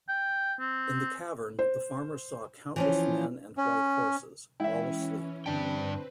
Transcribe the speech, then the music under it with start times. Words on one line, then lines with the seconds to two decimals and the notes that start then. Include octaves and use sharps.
In the cavern, the farmer saw countless men and white horses, all asleep.
0.09 G5
0.60 C4
1.59 C5
2.76 E3 F3 C#4
3.57 C#4
4.60 E3 G#3 C#4 E4 E5 G5
5.46 G2 D3 C4 D4 B4 D5 G5 A5